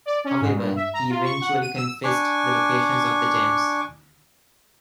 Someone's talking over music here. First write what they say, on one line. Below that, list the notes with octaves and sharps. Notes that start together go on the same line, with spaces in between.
However, he eventually confessed the locations of the gems.
D5
C#4
G#2
G2
E5
A#5
F4
C#6
F#5
D#7
E6
D4 G#5 C#6 D6